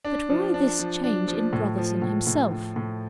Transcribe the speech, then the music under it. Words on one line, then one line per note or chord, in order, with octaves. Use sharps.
But why this change in Brotherson himself?
D4
F3
D4
F3
D4
F3
A2
F3
A2
A2
A2
A2